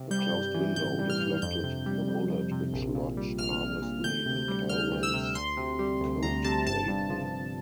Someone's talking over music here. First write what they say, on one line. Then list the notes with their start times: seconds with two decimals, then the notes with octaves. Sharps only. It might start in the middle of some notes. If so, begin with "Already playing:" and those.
The closed window deflected the bullet, which lodged harmlessly in Calwell's coat lapel.
Already playing: C3
0.11 G3 G6
0.32 G2
0.54 E3
0.76 A1 G6
0.99 G3
1.10 F6
1.20 G2
1.42 F2 G6
1.64 C3
1.86 G3
2.08 F2
2.30 F2
2.51 C3
2.73 A#1
2.95 A#2
3.17 G3
3.38 A#1 F6
3.61 A#1
3.82 A#2
4.04 D2 G6
4.26 C3
4.48 G3
4.69 D2 F6
4.92 D2
5.03 E6
5.14 C3
5.35 D2 C6
5.57 C3
5.79 G3
6.01 D2
6.23 D2 A#5
6.44 C3 A5
6.67 G1 A5
6.88 G2
7.10 F3
7.32 G1